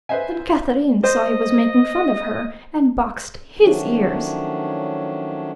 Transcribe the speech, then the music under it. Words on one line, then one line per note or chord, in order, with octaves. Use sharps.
Then Katharine saw he was making fun of her, and boxed his ears.
B4 C5 D#5 E5 G#5
C5 D#5
D#3 F3 F#3 A3 C#4 D4